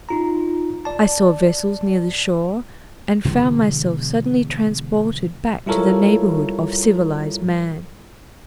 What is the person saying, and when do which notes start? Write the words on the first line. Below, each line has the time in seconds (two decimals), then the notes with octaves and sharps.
I saw vessels near the shore and found myself suddenly transported back to the neighbourhood of civilized man.
0.09 D#4 F4 A#5
0.85 D5 A5
3.25 B2 D3 E3 G#3
5.66 G3 E4 F4 A4 A#4 C#5